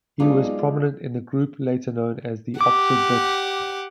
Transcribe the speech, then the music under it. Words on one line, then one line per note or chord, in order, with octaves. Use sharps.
He was prominent in the group later known as the Oxford Wits.
B1 G#3 D4 D#4 F4 G#4 D5
G4 F#5 D6